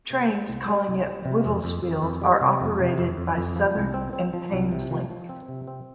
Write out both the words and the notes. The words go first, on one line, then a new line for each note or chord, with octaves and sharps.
Trains calling at Wivelsfield are operated by Southern and Thameslink.
C3
G3
C2
G3
C2
G3
C3
F2
F2
F2
F2
G3
C3
F2
C3
F2
F2
F2
F3
C2
C4
C4
F3
C2
C3
F3
F3
C4
C3
C4